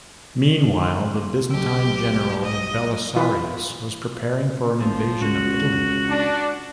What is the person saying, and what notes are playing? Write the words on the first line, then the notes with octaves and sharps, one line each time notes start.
Meanwhile, the Byzantine general Belisarius was preparing for an invasion of Italy.
C6
A#3
B1 G4 E6
D#5
E3 F4 B4
F#1 F3
C#2 F#4
D4